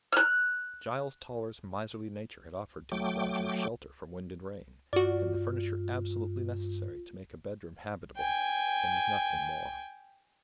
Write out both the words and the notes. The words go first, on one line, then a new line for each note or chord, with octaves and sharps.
Giles Toller's miserly nature had offered to his lodger shelter from wind and rain, and the furniture absolutely necessary to make a bedroom habitable--and nothing more.
F6 F#6
F#3 A3 G5 D6
G2 F4 F#4 D5
G5 G#5